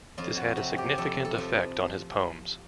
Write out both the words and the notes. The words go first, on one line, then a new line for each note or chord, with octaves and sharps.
This had a significant effect on his poems.
F2 F4
F#4
C3
G4
F2 A4
A4
F3